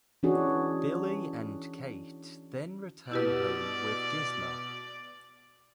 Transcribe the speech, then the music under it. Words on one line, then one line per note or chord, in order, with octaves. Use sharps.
Billy and Kate then return home with Gizmo.
E3 C#4 D4 F#4 G#4
B2 E4 G4 B4 D5 E6